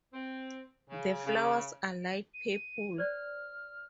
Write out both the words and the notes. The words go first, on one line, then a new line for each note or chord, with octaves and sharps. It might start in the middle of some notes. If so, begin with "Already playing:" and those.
The flowers are light purple.
C4
C#3
C#3
D#7
C5 D5 F6